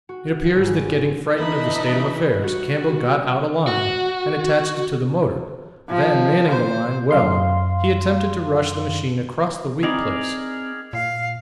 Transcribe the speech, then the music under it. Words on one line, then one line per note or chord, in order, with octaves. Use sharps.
It appears that getting frightened of the state of affairs Campbell got out a line and attached it to the motor--then manning the line well he attempted to rush the machine across the weak place.
F#4
G#1
E3 D4 D#4 D#5 E5 B5
G3 F#4
F#4
F3
C5
F#2 F5 C6
C4 D#4 E4 G#4 A#4 D5
A#2 F5